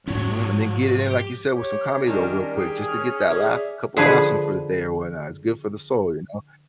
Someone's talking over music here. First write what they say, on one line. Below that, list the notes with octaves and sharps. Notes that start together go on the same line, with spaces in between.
Mhm, and then get it in, like you said, with some comedy though, real quick, just to get that laugh, a couple of laughs in for the day or whatnot, it's good for the soul, you know?
G#2 F3 C#4 F#4 C#5
G4
G4 C#5
D#3 G3 C#4 D4 A#4
G4 G#4
C#4 F6
G#4 D5 E5
D3 F3 G#4 B4